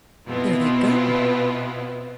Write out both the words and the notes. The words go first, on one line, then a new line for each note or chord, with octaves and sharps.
"There they go!"
B2 B3 C4 E4 F4